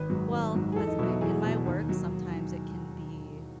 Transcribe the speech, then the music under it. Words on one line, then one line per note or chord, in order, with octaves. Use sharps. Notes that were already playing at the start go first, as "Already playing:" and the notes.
well, that's the thing, in my work, sometimes it can be
Already playing: G#1 B4
G#2 F#3
G#1
G#2 F#3
G#4
E2 A4
D#4
B2 F#3 E4
E2 G#4
B2 F#3
D#2
D#3 F#3